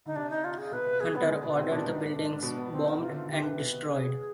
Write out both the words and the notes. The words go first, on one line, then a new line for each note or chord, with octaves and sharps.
Hunter ordered the buildings bombed and destroyed.
D3 D#4
C3 D4
D#4
F4
G#4
B2 B4
C3
B2 G#4
C3
D3 B3
D3 G#3
B2 B3
C3 C4
B2 D4
G#2 D#4
D4
B2 D4
B3
C4
D#4
C3 F4
D3
D#3 F4
D3 G4
C3 B4
B2
G#4